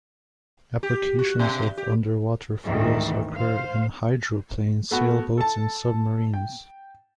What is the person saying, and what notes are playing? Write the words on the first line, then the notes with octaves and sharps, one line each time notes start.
Applications of underwater foils occur in hydroplanes, sailboats and submarines.
G4
F#4
B2
G4
D2 G#2 B2 D#3 E3
C5 F5
A3 B3 F#4
A4 A5
G5